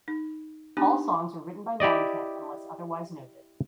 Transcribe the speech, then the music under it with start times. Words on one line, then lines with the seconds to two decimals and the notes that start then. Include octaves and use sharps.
All songs were written by Mellencamp unless otherwise noted.
0.08 D#4
0.77 B3 D4 D#4 G4 G#5
1.80 E4 G4 D5 D#5